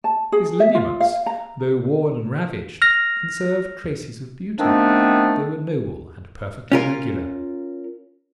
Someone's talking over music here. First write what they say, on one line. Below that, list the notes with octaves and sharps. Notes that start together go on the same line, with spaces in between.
His lineaments, though worn and ravaged, conserved traces of beauty; they were noble and perfectly regular.
A5
G#4
E5
F4
F5
A#5
F6 A#6
D#3 F3 A3 B3 C4 D4
C#4 F4 A#4